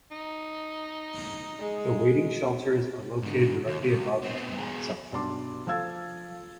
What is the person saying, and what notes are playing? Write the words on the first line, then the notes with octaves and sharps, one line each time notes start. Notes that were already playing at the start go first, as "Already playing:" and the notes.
The waiting shelters are located directly above the canal itself.
D#4
G#3
G#2 D3
D#2
C#2
B3 C4
B2 G#4
B1 G2 D4 A5 C6 D6
F3 A4 F5 E6 G#6 A6